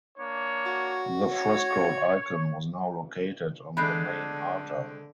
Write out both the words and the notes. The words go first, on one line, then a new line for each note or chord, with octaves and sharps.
The frescoed icon was now located on the main altar.
A#3 D4 C#5
F#4
C#5
D3 G#3 A3 D4 B5 F#6 G6 C7